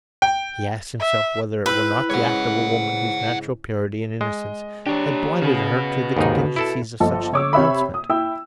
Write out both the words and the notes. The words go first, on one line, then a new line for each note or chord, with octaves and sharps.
He asked himself whether it were not the act of a woman whose natural purity and innocence had blinded her to the contingencies of such an announcement.
G5
E5
C4 E4 B4 F5 G5
G#2 C#3 C#5 F#5
G#3 D#5
D4 G4 C#5
C#3 F#4 B4
D#2 G#2 D#4
E4 A4 A5
G1 F3 A4 D#5
C#5 D6 E6
C3 C#5 E5 B5
D#6
E4 G5 E6